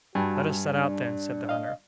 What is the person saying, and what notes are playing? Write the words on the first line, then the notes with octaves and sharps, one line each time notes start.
"Let us set out, then!" said the hunter.
G2 G3 F#4 G#5 A5
D4
D#5 F5